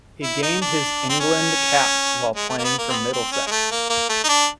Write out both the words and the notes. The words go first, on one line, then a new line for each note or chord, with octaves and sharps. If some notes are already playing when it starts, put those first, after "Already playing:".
He gained his England caps while playing for Middlesex.
E4
D#4
D4
C4
C#4
G#3
A3
A#3
B3
A#3
C4
B3
C4
C#4
G#3
A3
A#3
A#3
A3
D#4
D4